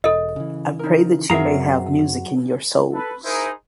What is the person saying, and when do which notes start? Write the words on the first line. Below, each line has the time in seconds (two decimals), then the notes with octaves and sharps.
I pray that you may have music in your souls.
0.04 E1 A4 D#5
0.36 C#3 E3
0.79 D#4 A#4
1.30 F#2 F#3 C4 G#4 A#4 E5 F5 A#5
2.93 A4 B4
3.25 D#4 E4 G#4 A#4 C5